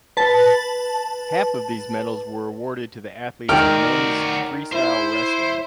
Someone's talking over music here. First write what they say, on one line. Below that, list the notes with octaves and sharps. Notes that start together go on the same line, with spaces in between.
Half of these medals were awarded to the athletes in men's freestyle wrestling.
B4 A5
D#3 F#4 D5 G5 F6
E4 C5